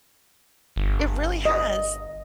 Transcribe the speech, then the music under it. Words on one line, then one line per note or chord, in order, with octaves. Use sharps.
It really has,
G1
D#5